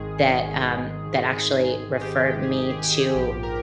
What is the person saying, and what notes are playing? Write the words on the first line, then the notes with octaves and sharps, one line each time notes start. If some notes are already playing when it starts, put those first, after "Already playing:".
that, um, that actually referred me to
Already playing: G#1 G#2 D#3 G#3 G#4
G#4
G#4
G4
G4
G#4
G4
G#4
G4
A#1 G#2 F3 G4
A#4